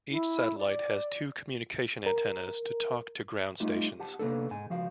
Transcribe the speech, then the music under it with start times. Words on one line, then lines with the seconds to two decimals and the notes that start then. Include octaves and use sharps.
Each satellite has two communication antennas to talk to ground stations.
0.11 E4
0.58 D5
2.06 A#4
3.60 G3 A3 D#4 F4 G4
4.00 G4 F#5 A5
4.19 C3 A#3 B3 D4 A4
4.51 G#2 G#5
4.70 C#2 F3 F#4 F5